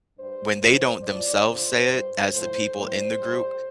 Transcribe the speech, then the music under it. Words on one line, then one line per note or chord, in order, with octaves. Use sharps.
when they don't themselves say it as the people in the group,
G2 G3 C5
A2 F3 C5
A2 F3 D5
F2 D3 F3 C5
G2 G3
A2 F3 C5
A2 G3 C5
A2 G3